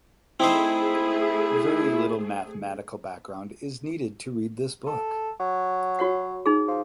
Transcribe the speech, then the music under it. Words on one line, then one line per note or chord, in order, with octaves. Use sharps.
Very little mathematical background is needed to read this book.
A3 C4 D#4 E4 G#4 C5
A4
F#3
F#4 C#5 F#5
D#4 G#4
F3